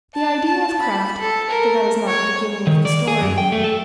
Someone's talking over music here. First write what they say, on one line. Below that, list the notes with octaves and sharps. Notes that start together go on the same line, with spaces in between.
The idea of Kraft--but that is not the beginning of the story.
A5
A5
B5
A4
A#4
C#5
D#3
D5
G#4
F#2
G5
A3
A4